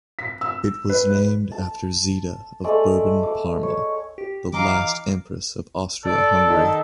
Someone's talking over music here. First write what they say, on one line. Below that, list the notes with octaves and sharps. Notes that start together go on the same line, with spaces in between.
It was named after Zita of Bourbon-Parma, the last empress of Austria-Hungary.
B6
E6
B4
B4
A5
G#3 A3 D5
D6
C#5
G4
E3 D#5 F5 A#5 D6
A4 D5
D#3